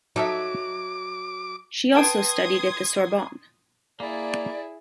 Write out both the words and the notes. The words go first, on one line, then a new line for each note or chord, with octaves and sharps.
She also studied at the Sorbonne.
F#3 D#4 A4 E5 D6
B4 G5 A5 C6 D#6 G#6
A#3 E4 G#4 D5